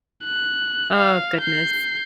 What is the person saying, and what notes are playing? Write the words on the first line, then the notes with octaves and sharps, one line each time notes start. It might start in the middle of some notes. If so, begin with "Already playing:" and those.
Oh, goodness.
F#6
F5
G6 C7